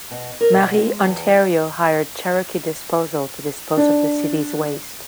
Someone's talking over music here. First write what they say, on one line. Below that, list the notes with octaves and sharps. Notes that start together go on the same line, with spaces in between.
Marie, Ontario hired Cherokee Disposal to dispose of the city's waste.
B2
A#4
B2
G#3
E2
D4